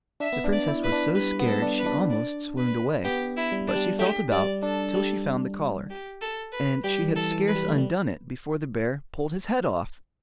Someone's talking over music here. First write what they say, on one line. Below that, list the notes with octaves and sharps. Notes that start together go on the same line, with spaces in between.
The Princess was so scared she almost swooned away; but she felt about till she found the collar, and she had scarce undone it before the bear pulled his head off.
D4 E5
B3
D4
D5
E4
B4
D4
G3 B4
B3
A4
D4
B4
D4
D5
B4
B3 G4
E4
G3
D4
G3
A3 G4
G3 D5
D4 A4
G3
G4
A4
B4
G3 G4
E3
A4
E3
B4
G3
A3
G3